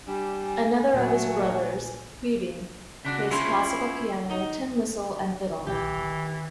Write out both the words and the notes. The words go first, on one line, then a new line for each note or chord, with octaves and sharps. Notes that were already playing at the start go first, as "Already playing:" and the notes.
Another of his brothers, Caoimhin, plays classical piano, tin whistle and fiddle.
G3 D4 G#5
A#2 F#3 A3 A#3 F#4
C#3 D4 F#4
C#4 E4 F4 G#4 C5
D#4
B1 A#2 D#3 E3 G4
D#3